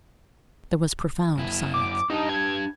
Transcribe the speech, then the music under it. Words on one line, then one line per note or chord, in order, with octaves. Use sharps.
There was profound silence.
F#2 E4
D6
D4 D#4 G4 A5
G#6